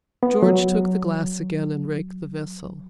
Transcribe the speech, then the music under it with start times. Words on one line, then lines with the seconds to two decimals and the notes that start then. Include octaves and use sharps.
George took the glass again and raked the vessel.
0.23 B3
0.43 F#3